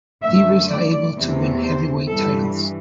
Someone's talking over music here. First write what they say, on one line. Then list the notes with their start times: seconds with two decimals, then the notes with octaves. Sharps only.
Divas are able to win heavyweight titles.
0.23 F#2 D3 A3 E5
0.69 D5
1.16 E2 C3 E3 A3
1.62 C5
2.08 G2 E3 G3 A4